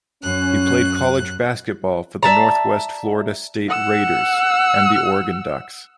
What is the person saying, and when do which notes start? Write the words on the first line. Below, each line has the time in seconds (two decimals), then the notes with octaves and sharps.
He played college basketball for the Northwest Florida State Raiders and the Oregon Ducks.
0.22 F#2 C#4 F#6
2.23 D5 E5 A5 A#5
3.68 F#5 E6